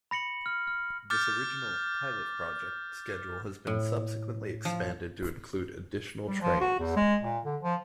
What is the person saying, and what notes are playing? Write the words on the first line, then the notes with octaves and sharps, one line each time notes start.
This original "pilot project" schedule has been subsequently expanded to include additional trains.
B5 A#6 C#7 F#7
F6
F6
D6 F6 G6 A6
A2
F3
G3
F3
F#4
E2
G#3
A#2
D3
F3